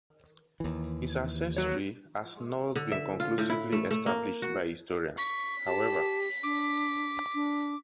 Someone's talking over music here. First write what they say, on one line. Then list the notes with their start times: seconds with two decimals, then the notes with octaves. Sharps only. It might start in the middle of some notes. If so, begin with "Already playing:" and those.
His ancestry has not been conclusively established by historians, however.
0.60 D#2 E3
1.57 F#4 C#5
2.75 D3
2.92 E5
3.20 F4
3.38 A2
3.50 E4
3.72 A3
3.91 A3
4.06 A#3
4.42 F#4
5.18 C#6 B6
5.66 G4 A5
6.43 D4 D6
7.34 D4